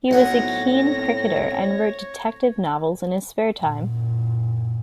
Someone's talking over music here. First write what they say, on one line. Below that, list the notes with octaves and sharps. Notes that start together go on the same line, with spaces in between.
He was a keen cricketer and wrote detective novels in his spare time.
B1 A2 C4 C#5 F#5 G#5 A#6
F#2 A#2